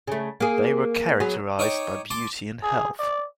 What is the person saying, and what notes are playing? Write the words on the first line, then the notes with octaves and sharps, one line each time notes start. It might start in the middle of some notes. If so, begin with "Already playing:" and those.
They were characterized by beauty and health.
C#3 A3
A#3 G#4
F#3 B3 G#4
D#4 C#5 G5 C#6 D6
A5 C6 D6
G#4
D5